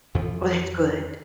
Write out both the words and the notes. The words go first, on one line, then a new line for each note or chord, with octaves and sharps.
Oh, that's good.
F2 E3 F3